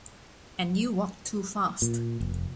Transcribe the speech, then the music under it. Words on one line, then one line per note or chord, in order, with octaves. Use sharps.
And you walk too fast.
A#2
F1